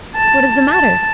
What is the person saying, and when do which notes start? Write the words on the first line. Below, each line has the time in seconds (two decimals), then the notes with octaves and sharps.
"What is the matter?"
0.15 A5
0.71 A5